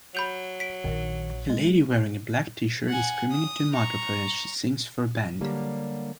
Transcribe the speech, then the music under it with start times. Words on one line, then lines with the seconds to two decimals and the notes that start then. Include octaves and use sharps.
A lady wearing a black tshirt is screaming into a microphone as she sings for a band.
0.15 F#3 B5 G6 F7
0.60 B6 D7
0.84 A#1 D#3
1.50 G#3
2.89 F#5 G#5
3.32 D#6
3.73 A#5 C#6
5.41 D3 F#3 G3 A#3